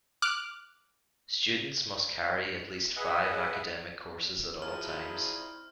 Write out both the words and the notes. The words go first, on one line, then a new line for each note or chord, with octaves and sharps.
Students must carry at least five academic courses at all times.
D6 F6 F#6
G#4 B4 D#5 E5 F#5
F3 F#3 C4 D#4 E4 G#4 D5 F6